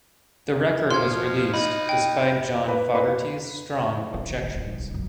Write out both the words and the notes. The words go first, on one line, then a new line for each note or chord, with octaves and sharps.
The record was released despite John Fogerty's strong objections.
F3 C6 F6 G#6
D#4 B5
G5
B4
B4
C#3
D3
C#3
D1
C2
F#2 A#2